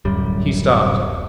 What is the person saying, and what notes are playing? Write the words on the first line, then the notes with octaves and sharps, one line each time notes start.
He stopped.
D1 F#2 G3